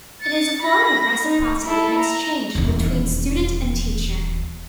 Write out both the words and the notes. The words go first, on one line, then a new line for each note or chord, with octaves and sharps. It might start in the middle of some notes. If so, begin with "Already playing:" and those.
It is a form of reciprocity and exchange between student and teacher.
A6 C#7
B5 A#6
D#4
E4 A4
A#5
D#1 E2